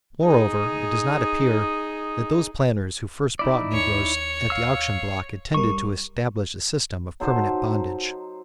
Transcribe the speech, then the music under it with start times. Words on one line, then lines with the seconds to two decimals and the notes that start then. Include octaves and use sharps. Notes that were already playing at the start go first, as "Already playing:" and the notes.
Moreover it does not appear that those planters who first bought negroes at the auction block intended to establish a system of permanent bondage.
0.23 D#4 G#4
3.39 D#4 E4 D5
3.73 D#2 C#5
4.50 F5 E6
5.54 G1 G3 A#4 C#6
7.20 F#3 D#4 A4 C5